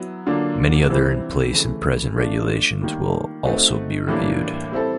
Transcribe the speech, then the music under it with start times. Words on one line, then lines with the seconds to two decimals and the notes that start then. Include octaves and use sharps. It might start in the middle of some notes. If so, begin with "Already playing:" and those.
Many other in place and present regulations will also be reviewed.
Already playing: F#3 B3 E4
0.27 D3 F#3 A#3 D4 F4
0.90 C3 E3 G3 C4 E4
1.53 C#3 E3 A3
2.17 A3 D4 F4
2.81 D#3 G3 A#3
3.44 A3 C4 D#4 F#4
4.07 A2 E3 G3 A#3 D4
4.72 G3 C4 E4 A4